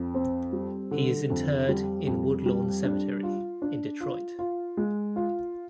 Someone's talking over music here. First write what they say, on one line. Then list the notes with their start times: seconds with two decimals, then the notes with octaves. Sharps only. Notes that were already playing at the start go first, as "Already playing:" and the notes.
He is interred in Woodlawn Cemetery, in Detroit.
Already playing: F2
0.14 C4
0.53 G3
0.91 D3
1.30 F2
1.68 G3
2.07 F2
2.46 G3
2.84 D4
3.23 F4
3.62 D4
4.01 F4
4.39 F4
4.77 G#3
5.16 F4